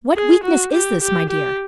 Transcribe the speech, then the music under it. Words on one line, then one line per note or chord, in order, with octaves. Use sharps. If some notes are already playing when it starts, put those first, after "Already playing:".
What weakness is this, my dear!
G#4
F#4
G4
G4
G4